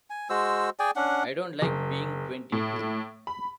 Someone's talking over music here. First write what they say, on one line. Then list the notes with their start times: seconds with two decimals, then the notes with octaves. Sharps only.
I don't like being twenty-two.
0.10 G#5
0.30 G#3 F#4 C5 E6
0.79 G#4 D5 G5 G#5
0.96 C#4 D4 F#5
1.62 F#1
2.52 A2
3.27 B5